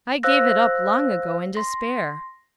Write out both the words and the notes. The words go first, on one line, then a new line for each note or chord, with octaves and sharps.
"I gave it up long ago in despair."
C5 F5 E6 F#6 A#6
C6 A#6